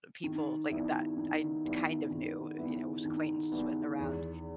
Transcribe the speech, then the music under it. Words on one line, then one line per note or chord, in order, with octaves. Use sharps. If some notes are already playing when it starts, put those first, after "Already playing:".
people like that I kn kind of knew, you know, I was acquaintances with around.
D#3
G3 B3 E4
D#3
G3 B3 E4
D#3
G3 B3 E4
D#3
G3 B3 E4
E2